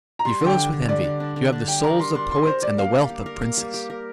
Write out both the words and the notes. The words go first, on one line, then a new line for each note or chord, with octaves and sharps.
"You fill us with envy: you have the souls of poets and the wealth of princes!"
A#5
G3 C6
D3
G5
D4
D3
G3 D5
D3
D4
D3
D4
G3 G5
A#4 A#5
G3 C6
D4 C6
G3 C6
A#4 C5
G3 D5
A#3 F5
G3
G4
A#4
A#3
G3
G4
A#4